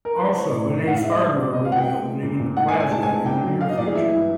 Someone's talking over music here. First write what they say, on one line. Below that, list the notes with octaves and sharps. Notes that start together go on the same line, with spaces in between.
Also an Ace Hardware will be opening in the Plaza in the near future.
A#4
B4
C5
C#5
A2 D5
A2
A2 F#5
F5
G#3 E5
D#5
G3 D5
B2
B2 D#5
F5
B2 F#5
G5
G#3
G#3
A#2
A#2
G#2 F#5
G#5
G#2
G#5
G#3 A5
G#5
G#2
A#2 G5
F#3
F#3 F5
D#5
A#2 D5
G#4
E3 E4
G2